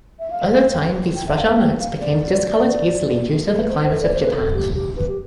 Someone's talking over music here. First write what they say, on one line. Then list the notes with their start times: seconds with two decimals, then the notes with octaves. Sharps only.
Over time these fragile notes became discolored easily due to the climate of Japan.
0.19 E5
0.30 F5
0.52 F5
0.73 G5
1.15 G5
1.27 E5
1.37 F5
1.58 G5
1.79 F5
2.00 D5
3.46 A4
3.58 B4
3.69 C5
3.91 A4
4.02 D5
4.13 C5
4.22 B4
4.34 A4
4.54 G4
4.75 G4
4.96 B4
5.08 G4